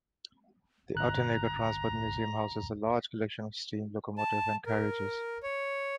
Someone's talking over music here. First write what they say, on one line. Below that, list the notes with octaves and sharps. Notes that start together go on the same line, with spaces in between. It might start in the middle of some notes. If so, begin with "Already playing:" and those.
The Outeniqua Transport Museum houses a large collection of steam locomotives and carriages.
G1 A#5 F#6
A5
A#4
C#5